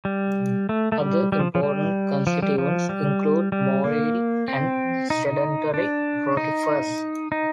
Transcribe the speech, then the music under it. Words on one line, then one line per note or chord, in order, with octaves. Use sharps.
Other important constituents include motile and sedentary Rotifers.
G3
A3
A3
G3
G3
F3
F3
G3
F3
G3
F3
G3
G3
A#3
C4
D#4
D#4
D4
D#4
D#4